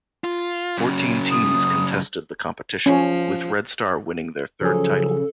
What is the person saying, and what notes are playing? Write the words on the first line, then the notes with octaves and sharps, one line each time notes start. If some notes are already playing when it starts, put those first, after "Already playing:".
Fourteen teams contested the competition, with Red Star winning their third title.
F4
F#2 C#3
D#6
F3 C#4
C#3 F3 F#3 G#4 A4